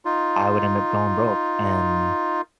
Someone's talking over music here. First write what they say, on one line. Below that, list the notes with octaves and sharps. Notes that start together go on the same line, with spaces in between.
I would end up going broke, and,
D#4 F4